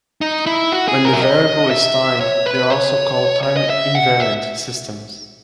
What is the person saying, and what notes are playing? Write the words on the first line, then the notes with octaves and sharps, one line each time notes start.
When the variable is time, they are also called time-invariant systems.
D#4
E4
F#4
G#4
A#4
E5
D#5
E5
C#5
B4
C#5
C#5
D#5
E5
F#5
E5